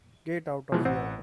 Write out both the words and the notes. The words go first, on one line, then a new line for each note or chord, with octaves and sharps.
Get out of here.
B2 E3 F3 G#3
A1 C4 F#5